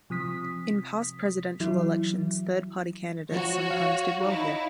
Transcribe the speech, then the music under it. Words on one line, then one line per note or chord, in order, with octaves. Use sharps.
In past Presidential elections third party candidates sometimes did well here.
C3 F3 D#6 B6
E3 F#3 E4
F3 F#4 C#5
F5
D#4 E4